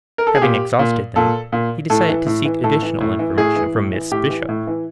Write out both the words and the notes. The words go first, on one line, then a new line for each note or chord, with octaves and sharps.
Having exhausted them, he decided to seek additional information from Miss Bishop.
A#4
A4
G#4
A#2 G4
A#2
A#2 A4
A#2
A2 A4
E3
A2
E3
A2 A4
E3
A2
E3
A2 G#4
E3
A2
E3
A2 G4
E3
A2
E3